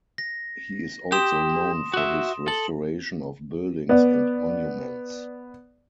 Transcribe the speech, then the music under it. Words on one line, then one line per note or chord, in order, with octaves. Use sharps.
He is also known for his restoration of buildings and monuments.
A#6
G4 C6 D#6 E7
F#4 E5
A4 F#7
B3 D5